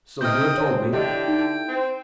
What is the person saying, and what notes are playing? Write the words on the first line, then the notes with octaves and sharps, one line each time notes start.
"So you have told me."
C3 D#5 G5 F6 G6
C4 C#5
D3 E4 G4 D#5 G5
D#4
C4